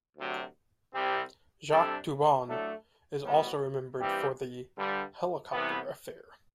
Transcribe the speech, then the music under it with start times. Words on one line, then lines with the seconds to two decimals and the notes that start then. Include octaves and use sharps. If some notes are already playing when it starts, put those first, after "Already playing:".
Jacques Toubon is also remembered for the "helicopter affair".
0.17 D2 C3 F#3
0.93 C2 C3 G3 C4 G4
1.70 C3 G3 D4 A4
2.46 A2 F#3 A3 D4 A4
3.22 A2 G3 B3 F#4
3.99 G2 E3 G3 C4 G4
4.75 G2 D3 G3
5.52 C2 C3 E3 B3